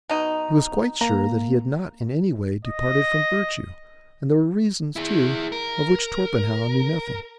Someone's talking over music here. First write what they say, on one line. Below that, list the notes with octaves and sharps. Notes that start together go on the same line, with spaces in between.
He was quite sure that he had not in any way departed from virtue, and there were reasons, too, of which Torpenhow knew nothing.
B2 D#4
A#3 A#5
D#5
E4 G#4
A#4